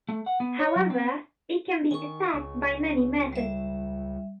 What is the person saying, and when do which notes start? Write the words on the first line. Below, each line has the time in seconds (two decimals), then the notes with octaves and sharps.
However, it can be attacked by many methods.
0.09 A3
0.26 F#5
0.40 B3
0.59 C#5
0.76 F#3
0.90 C4
1.91 D#3 G#5 C#6
2.34 C#2
3.32 G3 E5